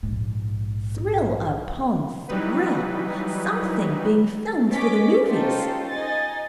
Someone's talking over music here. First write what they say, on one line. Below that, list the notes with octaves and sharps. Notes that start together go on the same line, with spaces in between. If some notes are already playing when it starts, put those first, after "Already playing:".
Thrill upon thrill: something being filmed for the movies!
A#1 G#2
E3 F#3 G3 D#4 B4
B3 C#4 D#5 D6 B6 D7
C#4 D#4 F4 G4 A4 C5
D#4 D#5 G#5 A6